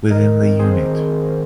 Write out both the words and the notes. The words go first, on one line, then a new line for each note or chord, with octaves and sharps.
Within the unit.
D#3 A#4 D#5
D#3
C4
C4 G#4 C5
D#3
D#3